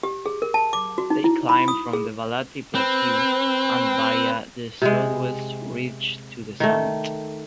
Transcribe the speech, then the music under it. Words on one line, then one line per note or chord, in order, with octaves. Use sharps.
They climbed from the Balati plateau and via the southwest ridge to the summit.
G4
G#4
A#4
A5
D6
F#4
D#4
E4
B5
D#6
G#4
C4 B4
C3 G#3
D#3 A3